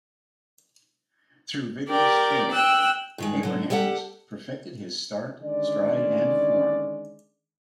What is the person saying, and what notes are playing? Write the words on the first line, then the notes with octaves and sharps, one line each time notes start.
Through vigorous training, Abrahams perfected his start, stride and form.
G4 A#4 D5
G5 E6 F#6
G2 D#3 G#3
D3 F#3
G3 G4 A4 D#5 F#5
D3 D#3 G#3 C#4 D5